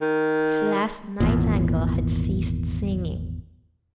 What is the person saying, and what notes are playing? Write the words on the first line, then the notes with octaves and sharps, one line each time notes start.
His last nightingale had ceased singing.
D#3
G#1 E2 A#2